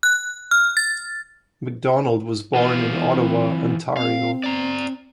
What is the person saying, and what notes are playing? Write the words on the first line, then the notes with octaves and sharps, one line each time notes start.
Macdonald was born in Ottawa, Ontario.
F#6
F6
A6
E3 B3 F4
C4
C4 F5
D5 A#5